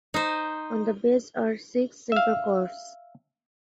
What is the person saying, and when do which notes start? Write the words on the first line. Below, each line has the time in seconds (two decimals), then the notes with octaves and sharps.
On the base are six simple cords.
0.14 D#4 C5
2.12 E5 F5